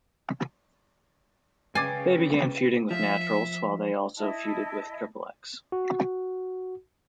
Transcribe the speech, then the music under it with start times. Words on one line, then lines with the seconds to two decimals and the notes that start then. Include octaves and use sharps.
They began feuding with Naturals while they also feuded with Triple X.
1.75 C#3 C#4 B4 G5 G#5 D6 A6 C7
2.91 F3 E5
4.17 E4 D#5 A5
5.72 F#4